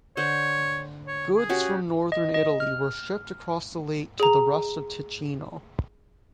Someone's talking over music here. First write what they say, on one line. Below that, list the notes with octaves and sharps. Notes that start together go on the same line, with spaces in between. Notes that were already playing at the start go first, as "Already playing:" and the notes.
Goods from northern Italy were shipped across the lake to the rest of Ticino.
D3 C5 C#5
C#5
G#4
C#4 F#4 G4
D#5
D#5
F6
G#4 A#5